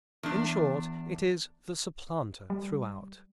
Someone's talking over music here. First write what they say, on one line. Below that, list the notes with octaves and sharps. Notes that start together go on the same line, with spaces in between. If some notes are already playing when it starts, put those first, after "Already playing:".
In short, it is "the supplanter" throughout.
E2 D4
G3